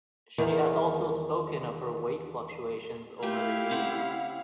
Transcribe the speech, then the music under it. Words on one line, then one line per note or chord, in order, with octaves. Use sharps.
She has also spoken of her weight fluctuations over the years.
E2 D#3
A3 E4 G4 F5
C#3 C4 F#5